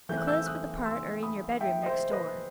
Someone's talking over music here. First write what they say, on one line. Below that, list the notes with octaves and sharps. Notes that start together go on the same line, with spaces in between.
The clothes for the part are in your bedroom next door.
E3 A3 C4 G6
F#6
E6 G6
D#6 F#6
C6 E6
B5 D#6
E5 G5
D#5
C5 E5
B4 D#5